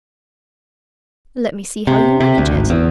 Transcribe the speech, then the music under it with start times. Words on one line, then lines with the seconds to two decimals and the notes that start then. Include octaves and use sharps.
'Let me see how you manage it.'
1.87 C3
2.20 C3
2.38 D2
2.55 G#1
2.70 E2